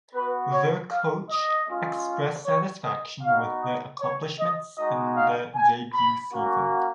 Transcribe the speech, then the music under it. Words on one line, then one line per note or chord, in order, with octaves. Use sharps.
Their coach expressed satisfaction with their accomplishments in their debut season.
B3 F#4 B4
C#5
F5
D#5
G#3 C#4 F4
C#5
D#5
B3 D#4 F#4 F5
D#5
C#5
D#5
G#3 D#4 F#4 D#5
F5
G#5
B5
A#3 C#4 F#4